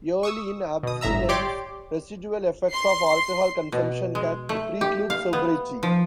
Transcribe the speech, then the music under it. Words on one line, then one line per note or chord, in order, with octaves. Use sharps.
Early in abstinence, residual effects of alcohol consumption can preclude sobriety.
C#6 D#6 E6
B2 D#6
G1 A2 E5 A#5 E6
G4 C#5 D5 C6 D6 D7
C6 C7
B2
G#3
A3
G4
F5
B3
F3